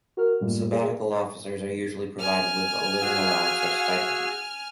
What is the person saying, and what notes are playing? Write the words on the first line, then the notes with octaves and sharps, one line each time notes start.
Sabbatical officers are usually provided with a living allowance or stipend.
F#4 A#4 F6
F#2 A2 G3 A3 A#3 F4
G#4
G#5 F6
F#4 G#4 F5 E6